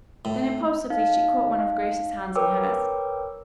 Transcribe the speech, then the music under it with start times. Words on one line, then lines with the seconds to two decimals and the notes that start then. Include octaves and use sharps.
Then impulsively she caught one of Grace's hands in hers.
0.25 A2
0.90 D#4 F5
2.35 A#4 B4 C#5 G5 D6 E6